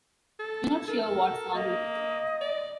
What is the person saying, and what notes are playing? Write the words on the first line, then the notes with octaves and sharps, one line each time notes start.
We're not sure what's wrong with it.
A4
A4 A#4
A#3 D#5
D5